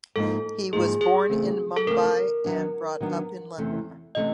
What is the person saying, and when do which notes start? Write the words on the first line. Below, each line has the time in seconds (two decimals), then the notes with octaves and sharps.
He was born in Mumbai and brought up in London.
0.16 G#2 F3 A#3 D#4 A4
0.73 G#2 F3 A#3 D#4 G#4
1.01 G#4
1.30 C#3 E3 A3 C4
1.76 A4
1.86 C#3 E3 A3 C4 A#4
2.44 D#3 F#3 B3 D4
3.00 D#3 F#3 B3 D4
3.58 E2 C3 E3 A3 C#4
4.15 C3 E3 A3 C#4 D#5